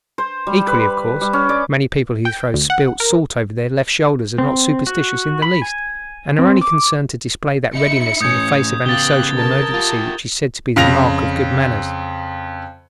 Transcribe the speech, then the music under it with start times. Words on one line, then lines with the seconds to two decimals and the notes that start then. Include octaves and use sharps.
Equally, of course, many people who throw spilt salt over their left shoulders are not superstitious in the least, and are only concerned to display that readiness in the face of any social emergency which is said to be the mark of good manners.
0.18 C5
0.47 G3
0.67 B4
1.21 G3
1.33 C#4
1.49 D5
2.25 G5
2.54 D2
2.70 F#5
3.00 A#4
4.38 C4
4.87 F#4
5.42 B5
5.62 G#5
6.39 C4
6.61 D6
7.75 D#4 E4 C#7
8.21 A2 C#4 D#6 G6 G#6
8.86 C#3 B3 G4 F5 F#6 A6 G7
9.37 A#4 A5
9.73 F4 G4
10.76 F2 C#3 F5 A#6 F7